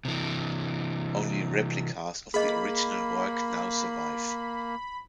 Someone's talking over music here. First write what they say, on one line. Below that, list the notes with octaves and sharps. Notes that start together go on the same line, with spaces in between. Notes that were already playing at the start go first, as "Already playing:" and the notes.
Only replicas of the original work now survive.
C3 E3
A#3 G#4 D#5 B5